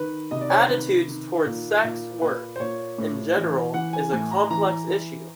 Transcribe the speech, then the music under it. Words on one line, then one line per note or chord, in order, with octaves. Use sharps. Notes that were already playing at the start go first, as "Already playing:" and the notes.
Attitudes towards sex work in general is a complex issue.
Already playing: D#3 B4
C3 D#5
D5
C#5
C5
D#3 B4
D#3
A#2
A#2
A#2 B4
C5
A#2 C#5
A2
E3
E3 F#5
G#5
A2 G#5
A#5
E3 A#5
E3